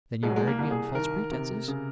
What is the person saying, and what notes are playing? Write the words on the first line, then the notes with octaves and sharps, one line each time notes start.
'Then you married me on false pretences?'
C2 G#3
F#3
G#3
A#3
C2
G#4
D#3 A#4
C3
C#3